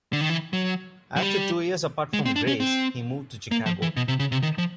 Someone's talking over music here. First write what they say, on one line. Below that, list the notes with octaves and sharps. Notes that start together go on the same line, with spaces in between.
After two years apart from Grace, he moved to Chicago.
D3
D#3
E3
F#3
F#3
G3
G#3
C4
D4
C#4
C4
A#3
F3
E3
B2
C3
C#3
C3
D#3
F3